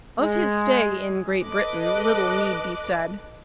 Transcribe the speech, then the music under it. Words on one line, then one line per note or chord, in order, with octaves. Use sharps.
Of his stay in Great Britain little need be said.
G#3
A4 B4 D#5 D6 F#6